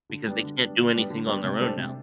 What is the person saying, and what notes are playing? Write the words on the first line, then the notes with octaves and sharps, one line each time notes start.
because they can't do anything on their own now.
D3
G3 B3 D4
D3
G3 B3 D4
D3
G3 B3 D4
D3
G3 B3 D4
C3
G3 D4 A4 C5
C3